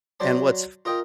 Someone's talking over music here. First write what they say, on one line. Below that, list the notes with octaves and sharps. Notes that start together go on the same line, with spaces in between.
And what's f
F#3 C5 D5 A5
F4 A#4 D#5 G5